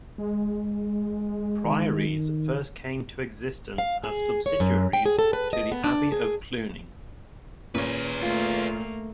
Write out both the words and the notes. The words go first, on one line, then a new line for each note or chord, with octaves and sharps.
Priories first came to existence as subsidiaries to the Abbey of Cluny.
G#3
D#3
F5
G#4
C#5
F#2
G5
G#4
A4
B4
D#5
B3
D4
G#4
A#2 C#4 G#4 B4
A3 A#3 F4